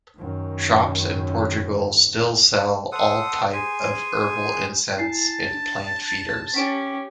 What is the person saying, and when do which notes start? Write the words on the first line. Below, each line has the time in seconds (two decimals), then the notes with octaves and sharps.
Shops in Portugal still sell all type of herbal incense and plant feeders.
0.17 F#2 D#3
2.92 A4 C5 F#5 D#6
3.53 G#4 C5 G#5
4.98 E4 G#5 A5 C7
5.54 D4
6.54 C#4 G4 B6 D7